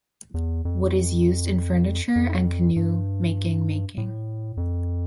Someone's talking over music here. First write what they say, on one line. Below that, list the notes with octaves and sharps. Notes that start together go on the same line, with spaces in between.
Wood is used in furniture and canoe making making.
E2
F2
F2
G2
A2
F2